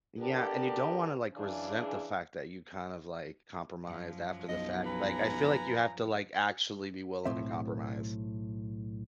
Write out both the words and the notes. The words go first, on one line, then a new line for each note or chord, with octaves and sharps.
Yeah, and you don't wanna, like, resent the fact that you kind of, like, compromised after the fact. Like, I feel like you have to, like, actually be willing to compromise.
B3 D4 G4 A4 A#4
C#3 E3 D4 G#4
F#2 F3
B1 D#5
B4 G#5 A#5
B1 A2 C4 E5